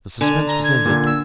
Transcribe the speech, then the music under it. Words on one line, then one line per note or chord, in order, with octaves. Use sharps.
The suspense was ended.
D3 G#5
A#5
G#6
A#2 D3
E6